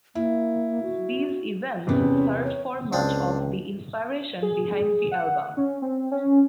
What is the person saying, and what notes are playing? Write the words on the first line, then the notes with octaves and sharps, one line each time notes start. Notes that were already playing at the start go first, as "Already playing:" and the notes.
These events served for much of the inspiration behind the album.
A#3 E4
F#4
E2 C3 B3 C#4
C#5
C#2 C4 D4
G#4
F#5
C#4
C4
C#4